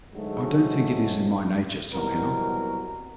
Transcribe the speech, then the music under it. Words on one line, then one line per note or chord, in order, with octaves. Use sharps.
I don't think it is in my nature somehow.'
D2 G#2 F#3 G#3 A3
C2 B2 F#3 A#4